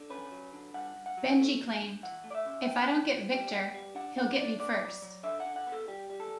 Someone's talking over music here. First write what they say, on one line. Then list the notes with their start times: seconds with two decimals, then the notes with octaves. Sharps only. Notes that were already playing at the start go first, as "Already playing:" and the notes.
Benji claimed "If I don't get Victor he'll get me first".
Already playing: D3
0.10 C#4 B4
0.31 F#3
0.53 D3
0.74 G2 F#5
0.96 G2
1.06 F#5
1.17 F#3
1.39 A3
1.60 F#3
1.82 G2
2.03 E3 F#5
2.24 A3
2.31 D5
2.35 E5
2.46 C#3
2.67 C#3 G5
2.89 E3
3.09 C#3
3.31 G3 G5
3.53 B3
3.74 G3
3.95 D4 F#5
4.17 D4 F#5
4.38 D4 D5
4.59 B3 D5
4.81 F#3
5.02 F#3
5.23 D3 E5
5.40 F#5
5.45 D3
5.56 F#5
5.67 B3
5.72 A4
5.88 G3 G4
6.10 G3
6.20 A4